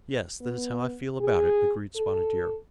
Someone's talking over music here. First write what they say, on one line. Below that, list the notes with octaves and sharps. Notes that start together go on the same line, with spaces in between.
"Yes, that is how I feel about it," agreed Spotted Deer.
B3
G#4
A4